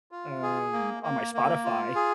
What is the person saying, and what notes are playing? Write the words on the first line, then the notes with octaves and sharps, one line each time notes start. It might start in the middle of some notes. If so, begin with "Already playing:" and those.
um, on my Spotify,
F4
G#4
A#3
A#3
A#3
F4
G#4